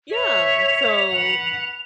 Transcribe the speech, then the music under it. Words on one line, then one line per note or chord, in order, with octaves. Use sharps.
Yeah. So
C#5 E5 F7
B4 F#5